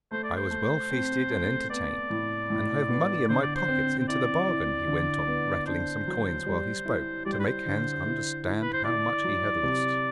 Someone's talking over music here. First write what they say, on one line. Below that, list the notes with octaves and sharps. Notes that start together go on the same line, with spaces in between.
I was well feasted and entertained, and I have money in my pocket into the bargain,' he went on, rattling some coins while he spoke, to make Hans understand how much he had lost.
A3 C5
D5
C5
A3
C4
A3
B3 D5
A2
A2
B3
D3 C5
D5
C5
C4
C5
E4 D5
E4
D3
B3
D4 C5
F#3
G3
E4
G3 D5
C5
B4
C5
D3
E4
E4
B4
C5
E4 D5
F#3
C3